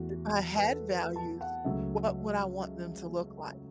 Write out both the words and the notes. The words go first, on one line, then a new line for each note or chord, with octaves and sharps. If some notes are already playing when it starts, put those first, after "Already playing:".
"If I had values, what would I want them to look like?"
Already playing: E2 E3 A3 F#4
B4
A4
B4
A5
F#5
C#2 C#3 F#3 A3 E5